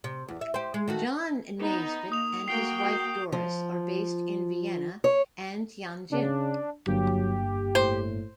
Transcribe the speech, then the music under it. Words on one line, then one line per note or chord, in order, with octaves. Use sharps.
John Naisbitt and his wife Doris are based in Vienna and Tianjin.
C3
E2
E5
G4 C5
G#3
D#3 A3 F#4
B3 D#4
A#3 D#6 F7
A#3 F#4 G5 C7
G6
F3
C#5
C#3 D4
G1 G2 F#3 A#3 G4
A2 C5